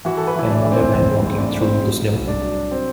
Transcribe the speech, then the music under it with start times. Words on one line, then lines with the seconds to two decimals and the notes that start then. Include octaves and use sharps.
An older man walking through the snow.
0.05 E3 F#4
0.17 A4
0.27 B4
0.36 E3 E4
0.50 D4
0.65 E3
0.72 C4
0.94 E3 C4
1.16 C4
1.23 A1
1.38 D4
1.53 A1
1.60 C4
1.83 F#3
2.13 C2
2.28 D4
2.42 F#3
2.71 C4